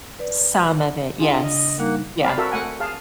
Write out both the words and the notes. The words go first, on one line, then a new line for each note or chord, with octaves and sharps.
Some of it, yes, yeah.
B4 D5
D4 F4 G#4
C#3 D#5
G3 A#3 D#4 F#5 F#6
C4 D5 F5 B5
F#4 A4 A#4 E5
A3 F#5 G#5
G#4 F5 A5